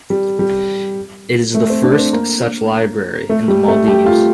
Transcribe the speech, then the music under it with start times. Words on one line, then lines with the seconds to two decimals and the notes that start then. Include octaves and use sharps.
It is the first such library in the Maldives.
0.10 G3
0.39 G3
1.54 A3
1.70 C4
1.83 D4
1.99 C4
2.13 A#3
3.29 A3
3.48 G3
3.68 A3
3.88 G4
4.06 F4